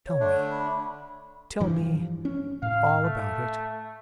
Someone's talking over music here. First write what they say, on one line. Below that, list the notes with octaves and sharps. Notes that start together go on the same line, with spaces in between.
"Tell me--tell me--all about it."
C#5
D3 A3 D4
B5
G2 E3 F3
C#4
A2 F5
A3